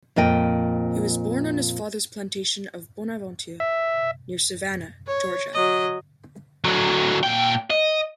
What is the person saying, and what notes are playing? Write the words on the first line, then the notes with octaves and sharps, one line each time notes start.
He was born on his father's plantation of "Bonaventure", near Savannah, Georgia.
F2 A#2 D#5 G5
E5
C#5
F#3 D#5
D3 F#3
A#2 G5
D#5